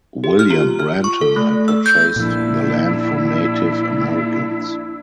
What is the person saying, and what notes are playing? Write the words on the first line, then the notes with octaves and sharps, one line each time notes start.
William Brenton had purchased the land from Native Americans.
G4
F6
F4
F6
C#6
A4
A3
E6
G6
A#2 F3 D4 E4 E6